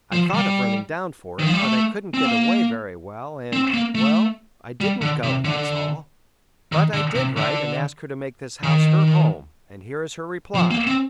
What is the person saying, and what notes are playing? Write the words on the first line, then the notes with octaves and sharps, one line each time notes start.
I thought of running down for it, but I couldn't get away very well, and--well, I didn't go, that's all. But I did write and ask her to make this house her home, and here is her reply.
F3
G3
D#3
F3
G3
A3
C4
A#3
C4
A#3
A3
G3
D3
C3
D3
D#3
D3
C3
D3
D#3
F3
A#3
C4